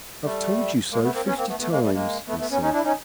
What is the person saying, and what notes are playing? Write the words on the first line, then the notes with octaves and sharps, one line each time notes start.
"I've told you so fifty times," he said.
G3 A3
G#3 A#3
A3 B3
A#3 C4
B3 C#4
A#3 C4
A3 B3
A3 B3
G#3 A#3
G3 A3
G#3 A#3
A3 B3
A3 B3
B3 C#4
C#4 D#4
D4 E4
C#4 D#4